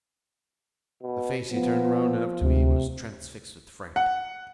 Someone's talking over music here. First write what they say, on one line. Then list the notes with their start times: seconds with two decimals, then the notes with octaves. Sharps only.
The face he turned round and up to me was transfixed with fright.
1.02 B2
1.52 F3 B3
2.42 D2 C3
3.96 F#5